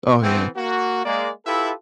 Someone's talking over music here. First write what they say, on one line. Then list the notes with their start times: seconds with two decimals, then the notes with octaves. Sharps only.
Oh, yeah.
0.23 E3 A3 B3 C4
0.56 A#3 F#4
1.05 G#3 A#3 D5
1.46 E4 F4 G4 A4 B4 E5